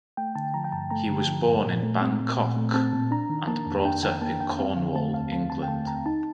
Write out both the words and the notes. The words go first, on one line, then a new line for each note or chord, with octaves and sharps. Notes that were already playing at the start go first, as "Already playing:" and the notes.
He was born in Bangkok, and brought up in Cornwall, England.
A3 G5
D3 A5
F3 A#5
G5
G2 A5
A3 A#5
D3
F3
G2
A#2
A3
C4
A#2
A#2
A3
C4 A5
A#2
D4 A#5
D#3
A#3 A5
F2
D4 G5
D#3 G5
A#3 A5
F2 G5
C4 F5
D3 F5
A3 A5
D#2 F5
C4 A5
D3 A5
G5
A3 A5
D#2 A#5
D#4 A5